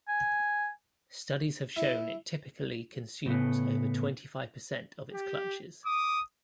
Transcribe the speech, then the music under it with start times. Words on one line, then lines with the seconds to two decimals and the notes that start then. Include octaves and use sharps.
Studies have shown it typically consumes over twenty-five percent of its clutches.
0.08 G#5
1.76 E4
3.26 A2 C#3 A3 B3
5.13 G4
5.84 D6 D#6